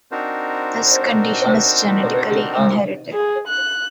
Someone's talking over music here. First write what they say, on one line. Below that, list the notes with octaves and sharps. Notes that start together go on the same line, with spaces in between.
This condition is genetically inherited.
C4 D4 D#4 F#4 A#4 C5
G#4
F#6